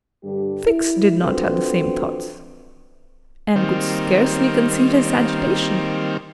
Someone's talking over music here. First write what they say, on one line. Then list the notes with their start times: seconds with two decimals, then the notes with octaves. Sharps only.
Fix did not have the same thoughts, and could scarcely conceal his agitation.
0.24 G2 D3 G3 G4
0.66 E4
1.20 C4 D4 F4 F#4 A4 B4
3.56 D#3 G3 A#3 C4